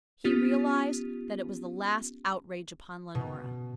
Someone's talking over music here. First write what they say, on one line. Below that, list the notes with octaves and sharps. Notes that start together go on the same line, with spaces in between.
He realized that it was the last outrage upon Leonora.
B3 C#4 F4 G4
B2